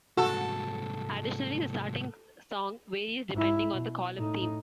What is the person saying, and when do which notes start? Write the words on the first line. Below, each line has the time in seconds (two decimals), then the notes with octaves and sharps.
Additionally, the starting song varies depending on the column theme.
0.17 C2 G#2 F#4 A4
3.33 G#2 E4
3.73 B2
4.17 A2 D#4